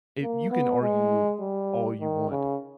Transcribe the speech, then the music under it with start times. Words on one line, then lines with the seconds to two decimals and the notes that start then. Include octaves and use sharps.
i you can argue all you want
0.22 A#3
0.51 B3
0.81 G#3
1.41 G3
2.00 D#3
2.31 C#3